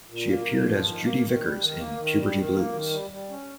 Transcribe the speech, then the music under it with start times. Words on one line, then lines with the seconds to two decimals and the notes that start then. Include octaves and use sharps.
She appeared as Judy Vickers in "Puberty Blues".
0.08 A#2
0.27 A#3
0.46 A#2
0.65 F3
0.83 D#3
1.02 A#3
1.21 D#3
1.40 G3
1.59 D#3
1.77 A#3
1.96 D#3
2.16 G3
2.35 D#3
2.54 A#3
2.72 D#3
2.91 G3
3.10 G3
3.30 C#4